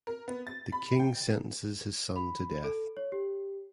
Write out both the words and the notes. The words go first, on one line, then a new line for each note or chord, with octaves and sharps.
The king sentences his son to death.
A#4
B3
A6
B5
G5
B5
A4
C#5
G4